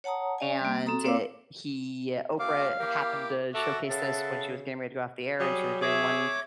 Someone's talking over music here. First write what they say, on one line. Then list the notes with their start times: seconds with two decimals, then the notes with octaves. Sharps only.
and, uh, he, uh Oprah happened to showcase this when she was getting ready to go off the air and she was doing one
0.04 C#5 F#5 A5 A#5 D#6
0.38 C#4 D5 G#5
0.61 G3 A#3
0.86 C4 F#4 A4 A#5 D#6
1.04 A#3 C4 C#5 F5 D6 E6
2.40 A3 C4 F#4 F5 D6
2.80 A#3 E4 G4 D6
3.54 F#4 A4 E5 A5 D6
3.90 C#3 A4 B4 F#5 A5
5.40 F#3 G3 G#4
5.82 G#4 C#5 E5 D6